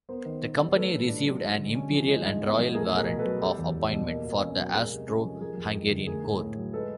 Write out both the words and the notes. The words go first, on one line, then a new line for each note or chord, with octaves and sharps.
The company received an imperial and royal warrant of appointment for the Austro-Hungarian court.
B3 A#4 C5
D#3
D#3
G3
A3 A4 B4
A2
D4
F#3
G#3
D3
C#4
F3
G#3
G#2
B3
F3
A3 G#4 A#4
B2
G#4 A#4
B2
A4 B4
F#3
G3 G4 A4
E2
E2
B2
A#3
B2
C#4
F#3
G#3 G#4 A#4
C3
C#4
F3
F3 G#4 A#4
F2
G#3
D3
A3 G#4 A#4
A2
A2
F#3
G#3 A4 B4